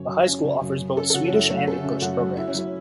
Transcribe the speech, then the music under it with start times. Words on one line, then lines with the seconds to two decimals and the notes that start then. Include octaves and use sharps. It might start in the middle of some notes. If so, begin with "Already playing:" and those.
The high school offers both Swedish and English programs.
Already playing: F#2 C#3 C#4 C#5
0.09 F#3
0.27 C#4
0.44 C#3
0.61 F#2
0.79 F#3
0.97 C#4 A4
1.10 A4
1.14 C#3 F#4
1.27 C#4
1.33 F#2 E4
1.50 F#3 A3
1.67 C#4 A4
1.84 C#3
2.02 F#2 F#4
2.20 F#3
2.37 E4 F#4
2.47 C#4
2.54 F#3 E4